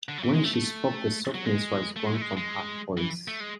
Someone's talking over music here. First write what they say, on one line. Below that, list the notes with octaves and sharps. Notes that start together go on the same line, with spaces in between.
When she spoke the softness was gone from her voice.
D3
F#3
E3
G#3
A3
A3
F#3
G#3
A3
G#3
A3
G#3
G#3
E3
A3
G#3